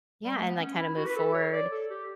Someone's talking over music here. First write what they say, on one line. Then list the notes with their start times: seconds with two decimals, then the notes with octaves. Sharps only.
Yeah, and, like, kinda move forward.
0.24 G3
0.36 A3
0.48 B3
0.60 C#4
0.78 E4
0.97 F#4
1.06 B4
1.16 A4
1.34 C#5
1.53 D5
1.72 A4
1.90 G4